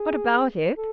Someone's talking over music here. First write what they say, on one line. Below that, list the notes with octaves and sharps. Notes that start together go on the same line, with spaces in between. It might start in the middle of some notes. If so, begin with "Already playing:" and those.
"What about it?"
Already playing: G#4
A4